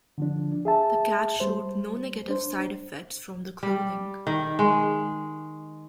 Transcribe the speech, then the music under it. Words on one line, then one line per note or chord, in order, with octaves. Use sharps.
The cat showed no negative side effects from the cloning.
D3 F3 D4
G#4 E5 A5
G3 C5
D4 C5
G3
D#3
G#3